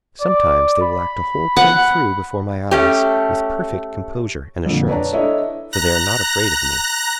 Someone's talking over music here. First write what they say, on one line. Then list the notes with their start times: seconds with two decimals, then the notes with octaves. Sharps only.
Sometimes they will act a whole play through before my eyes, with perfect composure and assurance, for they are not afraid of me.
0.21 D5
0.81 B5
1.57 F#5
2.71 A3 C#4 G4
4.66 F2 A#2 D3
4.88 D4 B4 C#5 D5 A5 A#5
5.13 D4 E4 A4 C#5 D#5 E5
5.73 A#5 F#6 A#6